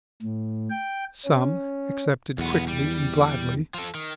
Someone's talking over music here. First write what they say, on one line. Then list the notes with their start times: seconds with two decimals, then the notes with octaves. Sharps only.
Some accepted quickly and gladly.
0.23 A2
0.70 G5
1.25 C#4
2.38 B1 E2 B3
2.68 G3
3.74 F3 A4
3.95 D#3